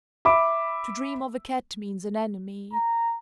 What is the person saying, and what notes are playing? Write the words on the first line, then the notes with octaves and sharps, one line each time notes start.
To dream of a cat means an enemy.
E5 B5 D6
A#5